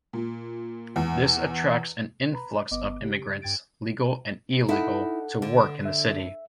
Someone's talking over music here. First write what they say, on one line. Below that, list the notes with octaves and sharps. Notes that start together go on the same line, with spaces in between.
This attracts an influx of immigrants, legal and illegal, to work in the city.
A#2
E2
B4 A#5 B5
G1 B3 D#5 D6
C#3 G4
G2 G5 G#6 A6 D7
D#4 E4 A4 F#5
D3
E5